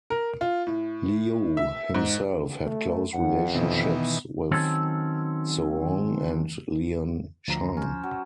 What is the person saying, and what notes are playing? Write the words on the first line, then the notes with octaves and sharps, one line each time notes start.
Liu himself had close relationships with Soong and Lien Chan.
A#4
F4
A2
E5
G#2
A3
F2 F#5
B2 D#3 E3 B3
D#3 F#3 C4 C#4 A4
D2 F3 A#5
C#4 C5
F#3